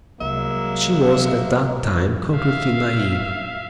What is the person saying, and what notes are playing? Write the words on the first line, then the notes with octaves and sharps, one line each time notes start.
She was at that time completely naive.
C2 F#3 G#3 A#3 E5
E5 F5